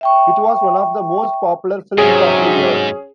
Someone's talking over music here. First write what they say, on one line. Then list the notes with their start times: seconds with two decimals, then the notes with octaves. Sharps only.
It was one of the most popular films of the year.
0.01 E5 G5 C#6
1.98 F2 G#2 C3 F#3 C#4 G#4